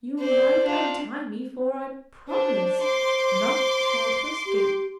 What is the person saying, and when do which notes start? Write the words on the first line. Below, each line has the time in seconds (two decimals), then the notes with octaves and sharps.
You might untie me, for I promise not to try to escape.
0.19 C5 D5
0.64 D4 F4
2.29 D4 C5
2.80 C6 D6
4.46 G4